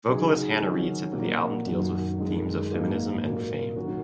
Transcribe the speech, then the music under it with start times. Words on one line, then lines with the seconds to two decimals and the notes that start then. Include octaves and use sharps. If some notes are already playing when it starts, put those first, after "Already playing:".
Vocalist Hannah Reid said the album deals with themes of feminism and fame.
0.08 C#3 F#3 D#4 G#4
0.60 D#3 F#3 C#4
1.13 A#2 F#3 A#3 F#4
1.66 F#2 D#3 F#3 C#4
2.18 F#2 D#3 G#3
2.71 G#2 F#3 A#3 F#4 A#4
3.24 A#2 A#3 F#4 A#4
3.76 D#3 F#3 C#4 F#4 A#4